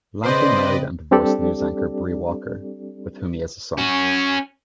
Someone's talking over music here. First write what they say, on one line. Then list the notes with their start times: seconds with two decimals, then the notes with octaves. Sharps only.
Lampley married and divorced news anchor Bree Walker, with whom he has a son.
0.24 C#3 C4 B4 C5 D5 D#5
1.11 G3 C4 D4 G4 A4 D5
3.78 C#4 F#4